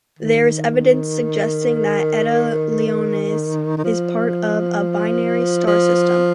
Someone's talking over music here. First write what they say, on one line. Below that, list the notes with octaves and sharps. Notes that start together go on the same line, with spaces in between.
There is evidence suggesting that Eta Leonis is part of a binary star system.
D#3
D#3
F3
F3